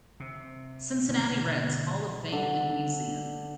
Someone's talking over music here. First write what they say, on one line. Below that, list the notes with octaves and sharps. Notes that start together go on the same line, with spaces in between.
Cincinnati Reds Hall of Fame and Museum.
C3
B2 D3 G#3 C#4
D3